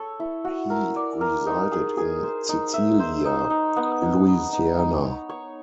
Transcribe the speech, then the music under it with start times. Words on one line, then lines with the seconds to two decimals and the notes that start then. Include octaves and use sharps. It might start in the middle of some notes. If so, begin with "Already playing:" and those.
He resided in Cecilia, Louisiana.
Already playing: A4 C#5
0.20 E4
0.45 F#4
0.70 A#4
0.96 D5
1.21 A#4
1.46 D#4
1.72 G#4
1.97 G#4
2.23 C5
2.49 D#4
2.74 E5
2.99 C5
3.25 D#4
3.50 D#4
3.76 B3
4.02 D#4
4.27 D#4
4.53 D#4
4.78 D#4
5.04 C#5
5.29 C#5